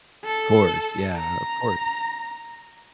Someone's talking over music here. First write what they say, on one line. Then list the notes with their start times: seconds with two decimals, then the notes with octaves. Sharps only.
Of course. Yeah. Of course.
0.25 A4
1.16 A#5